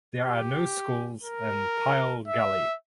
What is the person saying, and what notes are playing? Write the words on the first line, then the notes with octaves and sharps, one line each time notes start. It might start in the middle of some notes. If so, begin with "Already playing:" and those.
There are no schools in Pile Gully.
G4
A#4
E5